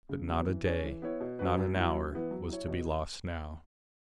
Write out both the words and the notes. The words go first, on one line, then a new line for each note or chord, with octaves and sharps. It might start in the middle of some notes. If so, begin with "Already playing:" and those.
But not a day, not an hour, was to be lost now.
C#3
F#3 B3
E3
C#4 G#4 C#5
E3
B3 E4 C#5
B2
F#3 C#4 F#4 B4
F#2
F#3 E4
F#2
E3 B3 E4
F#3
E4 C#5
B2